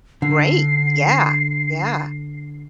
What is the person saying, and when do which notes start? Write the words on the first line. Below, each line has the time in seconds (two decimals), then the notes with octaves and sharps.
Great. Yeah. Yeah.
0.22 D3 C7